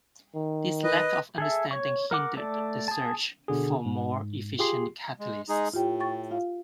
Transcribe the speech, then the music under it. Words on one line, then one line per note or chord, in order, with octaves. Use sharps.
This lack of understanding hindered the search for more efficient catalysts.
D#3
B4 D#5
G#4 A4 E5
C#5 C#6
A#4 F#5 D6
A3 A4 D5
G#4 A5
B2 D3 G#4
G#2
F4 G4 G#4 C6 C7
G#3
G#3 D#4 G#4
A2 F4 G4 G5
G5 C#6 A6
F4 F5